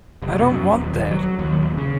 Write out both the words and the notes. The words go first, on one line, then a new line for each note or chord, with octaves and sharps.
I don't want that.
F1
B2
F#2
D#1
F#3
D#2
D#1
C#3